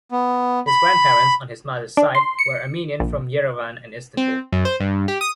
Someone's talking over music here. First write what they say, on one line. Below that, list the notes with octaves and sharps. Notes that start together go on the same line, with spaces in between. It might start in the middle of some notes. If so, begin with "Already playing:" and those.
His grandparents on his mother’s side were Armenian from Yerevan and Istanbul.
B3
B5
D4
C6
C#7
A#1
C4
F#2
C5
G2
G4
D#6